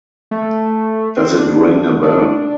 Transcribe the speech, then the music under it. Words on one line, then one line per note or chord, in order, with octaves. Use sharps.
Does it ring a bell?
A3
C4
C4
D4
D4